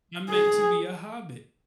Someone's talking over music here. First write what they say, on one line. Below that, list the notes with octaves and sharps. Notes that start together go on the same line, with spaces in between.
I'm meant to be a hobbit."
G#4